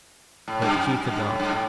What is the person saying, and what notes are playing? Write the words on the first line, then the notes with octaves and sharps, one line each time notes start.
But he could not.
A2
G2
F#2
G2
A2
G2
A2